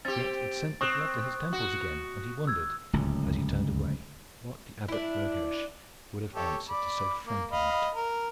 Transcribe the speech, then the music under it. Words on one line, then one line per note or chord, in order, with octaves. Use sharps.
Yet it sent the blood to his temples again, and he wondered, as he turned away, what the Abbot Berghersh would have answered to so frank an invitation.
C4 G4 A6
C4 C#6 D#6 F#6
F#4
E6 G#6
D1 C#2
D4 E4
G4 A4 C#5
D5 B5 D6
A#3
D#5 F5 B5
A#4